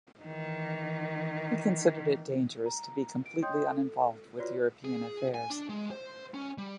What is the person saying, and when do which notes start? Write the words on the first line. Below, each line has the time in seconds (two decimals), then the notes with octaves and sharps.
He considered it dangerous to be completely uninvolved with European affairs.
0.24 D#3 E3
2.66 A#5
3.26 D7
3.42 C#5 D#5 G5 C6 D#6 G6
3.69 A4
4.39 F4 F#4 B4 C#5 D5
4.85 G#4
5.34 G#5
5.50 D4
5.69 G#3
5.91 C5
6.34 C#4
6.58 G3